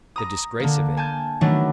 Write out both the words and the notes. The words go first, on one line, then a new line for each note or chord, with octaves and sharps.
The disgrace of it!
A#5 D#6
D3 A#3
G#5 A5 G6
D#3 E3 F#3 A3 B3 D4